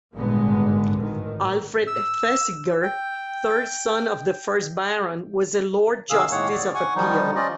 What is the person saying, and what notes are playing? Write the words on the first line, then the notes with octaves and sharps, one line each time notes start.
Alfred Thesiger, third son of the first Baron, was a Lord Justice of Appeal.
G#1 G2 A#2 D3 G#3 B3
G#1 A2 D#3
E6
G5
C3 D#3 G#4 F5 E6
A2 D#3 G#3 A#3 C#5 F#5
D#2 D5
F#5 G#5 C#6
D#3 F3 G3 D#4
C#4 F4 D5 D#5